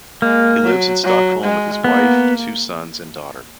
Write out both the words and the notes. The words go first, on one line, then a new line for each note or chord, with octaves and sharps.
He lives in Stockholm with his wife, two sons and daughter.
G#3 A#3
F#3
F#3
G#3
A#3 B3